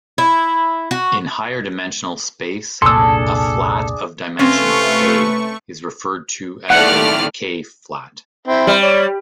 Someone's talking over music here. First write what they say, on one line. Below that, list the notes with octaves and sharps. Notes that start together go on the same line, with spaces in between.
In higher-dimensional space, a flat of dimension "k" is referred to as a "k"-flat.
E4
F#4
F1 C2 A#2 D4 G#4 A4 C6 E6
C3 A3 C4 C#4 F4 B4 C#6
D#2 A2 A3 D5 F#5 F6
C4 E4
G3
C#5 D5